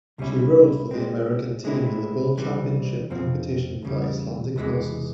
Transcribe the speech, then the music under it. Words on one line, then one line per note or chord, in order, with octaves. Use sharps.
She rode for the American Team in the World Championship competition for Icelandic horses.
C#2 C3 G3 C#4 E4
A#2 G#3 C4
A#2 G#3 C4 E4
C2 C3 E3 G3 C4
F2 C3 F3 C4
E2 C#3 G3
E2 C3 E3 G#3